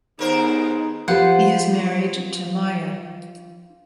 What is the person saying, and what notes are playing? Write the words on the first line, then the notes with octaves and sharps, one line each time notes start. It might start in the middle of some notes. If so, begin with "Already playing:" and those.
He is married to Maya.
D#2 B3 D#4 G#4 A#4 C5
F3 G4 B4 C5 F#5